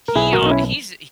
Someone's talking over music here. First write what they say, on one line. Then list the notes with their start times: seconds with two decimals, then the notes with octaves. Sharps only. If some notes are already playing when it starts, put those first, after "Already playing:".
He, uh he's
0.08 A#4
0.15 B1 E4 G#4
0.33 F#4 A#4
0.42 B1 D#4
0.50 C#4 E4